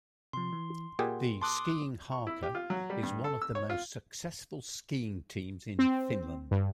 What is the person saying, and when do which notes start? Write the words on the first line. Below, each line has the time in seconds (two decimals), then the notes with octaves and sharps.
The "skiing Haka" is one of the most successful skiing teams in Finland.
0.33 C3 F3 C6
0.52 E3
0.99 A#2 G4 G#4 F#5
1.42 A5 C6 D6 D#6 F#6
2.12 C#6
2.27 E4
2.43 G4
2.55 F4
2.70 F#3
2.90 G3
3.03 G2
3.24 A4
3.42 E6
3.55 C#5
3.70 F4
5.79 C4
6.51 G2